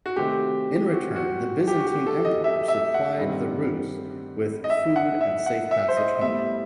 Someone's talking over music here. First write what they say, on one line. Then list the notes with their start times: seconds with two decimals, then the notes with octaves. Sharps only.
In return, the Byzantine emperor supplied the Rus' with food and safe passage home.
0.06 F#4
0.16 C3 D#3 A3 C4 G4
0.93 F#4
1.16 F#4
1.68 G4
1.79 F#4
1.87 G4
2.07 A4
2.25 D#5
2.44 E5
2.68 E5
2.94 F#5
3.19 G2 D#3 G3 C4
4.64 D#5
4.70 E5
4.96 F#5
5.21 E5
5.46 F#5
5.71 E5
5.88 C5
5.97 D#5
6.15 D#5
6.21 A2 G3 B3 E5